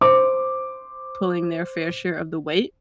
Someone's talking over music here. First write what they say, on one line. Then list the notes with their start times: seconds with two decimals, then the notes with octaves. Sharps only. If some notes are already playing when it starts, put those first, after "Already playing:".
pulling their fair share of the weight
0.01 C5 D6